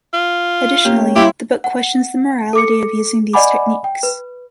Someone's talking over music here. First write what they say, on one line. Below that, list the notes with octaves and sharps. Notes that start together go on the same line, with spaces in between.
Additionally, the book questions the morality of using these techniques.
F4
A#3 C#4 G4
G3 E4 G4 F5 C6
F#5
A4 D6 C#7
D5 D#5 F#5 G#5 B5 D6
G5
B4